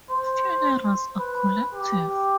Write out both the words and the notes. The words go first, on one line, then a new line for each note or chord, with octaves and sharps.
Funerals are collective.
C5
B4
G4